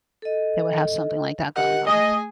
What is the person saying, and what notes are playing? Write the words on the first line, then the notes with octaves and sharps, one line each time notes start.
they would have something like that going on.
A4 D#5
G4 A#4 D#5 F#5
A3 G#4 D#5